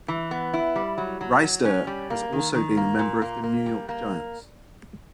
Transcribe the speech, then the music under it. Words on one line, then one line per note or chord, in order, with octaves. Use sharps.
Wrighster has also been a member of the New York Giants.
E3
B3
E4
G3
F#3
F#3
F#3
C#4
G3
A#3
D#3
D#3
A#3
A#2
A#3
A#3
G3
A#3